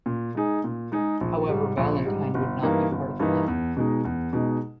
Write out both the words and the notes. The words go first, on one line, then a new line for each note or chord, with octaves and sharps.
However Valentine would not be part of the lineup.
A#2
G#3 D#4 G#4
A#2
G#3 D#4 G#4
A#1
G#2 G3
A#1
G#2 G3
G1
G2 E3 A#3 D#4
G1
G2 E3 A#3 D#4
E2
B2 G#3 D#4
E2
B2 G#3 D#4